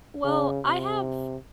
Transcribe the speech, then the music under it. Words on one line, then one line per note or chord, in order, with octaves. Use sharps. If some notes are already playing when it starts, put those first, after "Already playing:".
Well, I have
C#3
C3